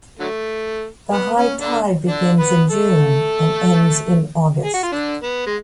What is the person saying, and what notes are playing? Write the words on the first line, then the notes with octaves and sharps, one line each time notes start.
The high tide begins in June and ends in August.
D3 F#3 A3
B3
C#4
D3 D4
D3 D4
B3 B4
A3 A4
G#4
F#4
F4
D3 D4
B3
G#3